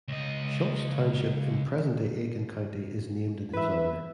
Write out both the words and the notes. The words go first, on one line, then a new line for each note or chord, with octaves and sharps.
Shultz Township in present-day Aiken County is named in his honor.
C#2 D#5
E3 B4 E5